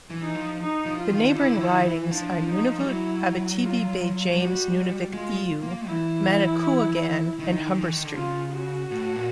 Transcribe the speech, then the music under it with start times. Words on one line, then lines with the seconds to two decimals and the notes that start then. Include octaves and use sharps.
The neighbouring ridings are Nunavut, Abitibi-Baie-James-Nunavik-Eeyou, Manicouagan, and Humber-St.
0.10 E3
0.22 D#4
0.35 F3
0.60 D#4
0.86 F3
0.98 F4
1.11 D#3
1.35 D3 E4
1.55 E3
1.61 D#3
1.86 E3
2.11 F3 D4
2.49 D#4
2.79 G3
2.86 F#3 E4
3.62 F4
4.31 F#3
4.37 G3 F#4
5.13 G#3 F4
5.63 A#3
5.88 E3 E4
7.39 D#3
7.81 E3
7.93 D#3
8.04 D3
8.15 C#3 F4
8.52 F#4
8.91 A2
9.16 A#2